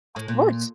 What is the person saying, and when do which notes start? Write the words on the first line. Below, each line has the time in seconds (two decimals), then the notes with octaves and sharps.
Of course.
0.16 A2
0.28 A#2